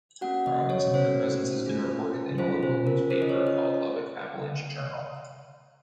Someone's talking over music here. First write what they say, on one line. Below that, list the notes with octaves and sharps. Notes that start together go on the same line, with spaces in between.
Robinson, your presence has been reported in a local newspaper called Lubbock Avalanche-Journal.
A#3 C#4 F#4 F#5
D#5
C#5
A#3 C#4 F#4 C5
C#4 F4 G#4
C#4 F4 G#4 C5
C5
A#4
C#4 F4 G#4 C5
D#5
C#5
D#5